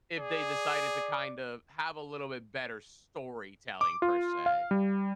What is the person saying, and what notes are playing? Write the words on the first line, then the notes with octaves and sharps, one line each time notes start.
if they decided to, kind of, have a little bit better storytelling per se.
G#4 D5
D6
F4
F5
G3